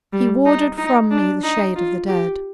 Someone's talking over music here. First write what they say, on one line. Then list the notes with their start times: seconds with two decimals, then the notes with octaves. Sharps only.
He warded from me the shade of the dead.
0.13 G3
0.46 D#4
0.78 D#4
1.11 D4
1.43 D#4
1.76 F4
2.08 G4